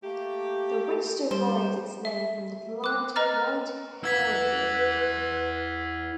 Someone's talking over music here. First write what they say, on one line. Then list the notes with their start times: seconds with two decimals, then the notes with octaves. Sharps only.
The ridge derives its name from the plant white hellebore.
0.03 A3 A#3 G4 G5
1.31 G3 C5 G5
2.05 E5
2.84 D6 F#6
3.16 B4 D#5 A#5 F6 A6
4.04 E4 B4 F#5 E6 G#6 B6